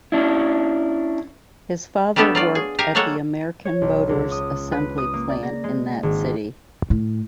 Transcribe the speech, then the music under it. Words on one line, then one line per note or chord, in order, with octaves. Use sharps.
His father worked at the American Motors assembly plant in that city.
C#4 D4 E4
G3 A3 B3 D4 G4 A4
F#3 F4 D5
G#4
G4 A#4 F5 G#5 A#5
F#3 G#3 A#3 A4 C#5 F#5
C#5
B1
C#2
D#6
B4
D#6
A#3
D5
A#6
G#3
G#1
A2